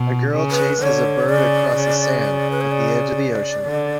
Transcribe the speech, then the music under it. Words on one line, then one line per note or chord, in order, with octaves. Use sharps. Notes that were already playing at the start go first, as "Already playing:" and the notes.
A girl chases a bird across the sand at the edge of the ocean.
Already playing: B2
C#3
B4
D3 C#5
C#3 D5
C#3
B4
C#5
D5
D3